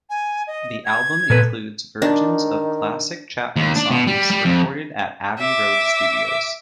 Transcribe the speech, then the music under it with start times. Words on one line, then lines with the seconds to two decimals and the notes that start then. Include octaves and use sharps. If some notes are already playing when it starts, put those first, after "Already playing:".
The album includes versions of classic Chapman songs recorded at Abbey Road Studios.
0.10 G#5
0.47 D#5
0.85 G#6
1.30 A#2 A4 B4
2.02 D#3 D4
3.56 D#2
3.76 D4
3.91 B2
4.07 G3
4.31 G3
4.45 F2
5.39 E5 D6